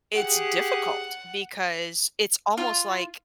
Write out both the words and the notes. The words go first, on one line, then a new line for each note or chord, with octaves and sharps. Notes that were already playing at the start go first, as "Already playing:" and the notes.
it's difficult because it's almost like
G4 G#4 F#5
F4